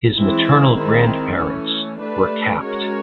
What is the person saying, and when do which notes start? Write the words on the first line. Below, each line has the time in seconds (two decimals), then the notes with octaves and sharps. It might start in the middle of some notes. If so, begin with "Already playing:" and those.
His maternal grandparents were Capt.
0.15 E3 G#3 C4 E4
0.76 D#3 G#3 C4 E4
1.38 E3 A3 C#4
2.00 A3 D4 G4 B4 D5
2.61 G#3 C#4 F#4 A#4 C#5